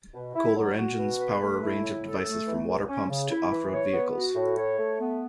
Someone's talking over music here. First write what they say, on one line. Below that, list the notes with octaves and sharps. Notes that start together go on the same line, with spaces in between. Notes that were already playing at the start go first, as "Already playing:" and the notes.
Kohler engines power a range of devices from water pumps to off-road vehicles.
B2
E4
F#3
F#4
B2
B4
A3
E4
A2
A4
A3
E3
C#2
C#4
C#3
E4
E3
C#5
B3
F#4
A2
C#5
A3
B3